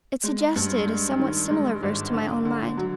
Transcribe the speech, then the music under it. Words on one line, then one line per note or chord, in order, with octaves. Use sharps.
It suggested a somewhat similar verse to my own mind.
G#3
G2
G#3
D#3
G#3
G#1
D3
D3
F#3